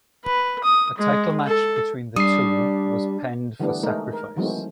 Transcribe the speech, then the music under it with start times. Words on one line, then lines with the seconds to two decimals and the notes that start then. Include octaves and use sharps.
A title match between the two was penned for Sacrifice.
0.24 B4
0.64 D#6
0.97 G#3
1.47 A4
2.16 G3 D4 D#6 C7
3.60 D3 E3 G3 A3 B3 D4
3.83 G#3 A3 D#4 A#4
4.13 A#4
4.36 D#3 E3 F#3 G#3 A3 C4